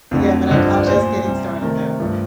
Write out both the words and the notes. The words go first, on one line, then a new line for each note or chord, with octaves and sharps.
Yeah, but I'm I'm just getting started though.
F2 D3 A3
G2 D3 F3 D#5
D#5
D5
A#2 A3 C5
C3 G3
C3 D#3 A3 A#4
G2 F3 A3